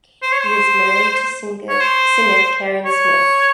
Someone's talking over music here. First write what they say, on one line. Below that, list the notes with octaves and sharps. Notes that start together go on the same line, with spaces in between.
He is married to singer Karen Smith.
C5
C#5
C5
C#5
C5
C#5